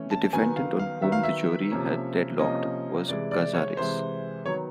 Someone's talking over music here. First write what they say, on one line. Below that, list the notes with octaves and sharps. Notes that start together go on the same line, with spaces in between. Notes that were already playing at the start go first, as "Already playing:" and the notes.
The defendant on whom the jury had deadlocked was Cazares.
Already playing: E3 A3 C#4
A5
D#3 F#3 B3 G#5
F5
F5
D#3 F#3 B3 E5
F5
E5
C3 F3 A#3 C#4
C3 F3 A#3 C#4 D#5
C3 E3 G#3 D5
D5
C#5
C3 E3 G#3 C5
D#3 F#3 B3 C#5